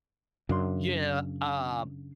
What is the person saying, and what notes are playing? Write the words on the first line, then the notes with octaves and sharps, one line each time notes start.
Yeah, uh,
F#2 C#3 D4 C6